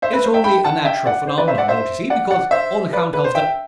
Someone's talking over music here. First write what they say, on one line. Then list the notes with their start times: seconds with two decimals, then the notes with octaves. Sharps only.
It's only a natural phenomenon, don't you see, because on account of the...
0.02 C5 E5
0.13 B4
0.24 C5
0.34 E5 G5
0.44 G5 B5
0.64 F#5 A5
0.85 E5 G5
1.06 D5 F#5
1.27 C5
1.38 B4 D5
1.48 C5 E5
1.58 D5 F#5
1.68 C5 E5
2.10 D5 F#5
2.30 D5 F#5
2.51 C5 E5
2.93 B4 D5
3.14 B4
3.24 C5
3.35 E5 G5